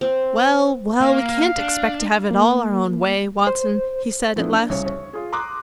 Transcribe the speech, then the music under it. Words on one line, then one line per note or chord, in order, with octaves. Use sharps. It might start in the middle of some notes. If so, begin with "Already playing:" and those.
"Well, well, we can't expect to have it all our own way, Watson," he said, at last.
C4
A#3 F5
D4
A#3
C5
F3 A3 B3 C4 D4 E4
D4
C2 C#3 C#5
C#5
F4 G#4
A#5 C6 D6 D#6 F#6